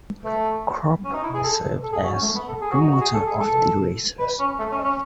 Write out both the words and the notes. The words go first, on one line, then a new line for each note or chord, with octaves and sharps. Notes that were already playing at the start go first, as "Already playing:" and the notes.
Kropp served as promoter of the races.
A3
C#4
D#4
E4
G#4
A4
A4
G#4
F#4
C#4
A3
B3
A4
G#4
F#4
D#4
F#4
G#4
A4
G#4
A4
B4
C#4
A3
C#4
C#4